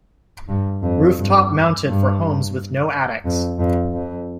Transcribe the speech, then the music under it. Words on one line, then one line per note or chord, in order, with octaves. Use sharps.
Rooftop Mounted for homes with no attics.
G2
F2
G2
G2
F2
F2
F2